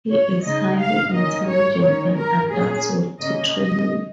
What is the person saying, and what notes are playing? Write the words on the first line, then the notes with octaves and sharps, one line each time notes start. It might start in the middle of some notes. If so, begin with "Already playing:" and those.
He is highly intelligent and adapts well to training.
C#5
C#3 G#3 D#4 D#5
F5
D#3 A#3 C#4 D#5
C#5
D#3 C#4 C#5
A#4
A#2 A#3 C#4 G#4
C#3 A#3 C#4 D#5
D#5